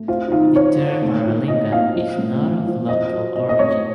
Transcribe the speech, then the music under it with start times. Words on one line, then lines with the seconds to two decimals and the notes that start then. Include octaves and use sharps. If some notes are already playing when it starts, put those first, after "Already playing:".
The term "maralinga" is not of local origin.
Already playing: A3
0.08 C4 F4
0.28 D#4
0.32 D#3 F4
0.55 C4 C#5
0.79 D#3
1.02 A3
1.26 A#2
1.48 A#2 D#5
1.72 A#2 F5
1.95 F3
2.18 A2
2.42 A2
2.66 F3
2.89 C4 D#5
3.12 F#3
3.35 C4 D#5
3.49 D#5
3.59 A2 C#5